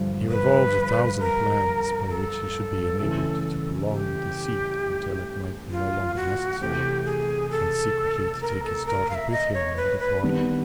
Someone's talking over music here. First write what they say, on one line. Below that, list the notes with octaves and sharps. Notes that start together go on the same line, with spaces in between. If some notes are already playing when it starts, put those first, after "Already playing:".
He revolved a thousand plans by which he should be enabled to prolong the deceit until it might be no longer necessary, and secretly to take his daughter with him when he departed.
Already playing: G2 D3 F3
B4
A#4
A4
C#3 E3 A3
G4
F4
F#4
C3 E3 A3 C4 G4
G#4
A4
A#4
A4
A#4
F5
E5
D#5
C#5
B4
B4
D#3 G3 B3 D4